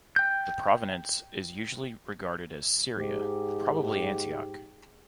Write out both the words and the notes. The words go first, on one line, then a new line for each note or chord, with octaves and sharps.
The provenance is usually regarded as Syria, probably Antioch.
G5 G6
G#2 G4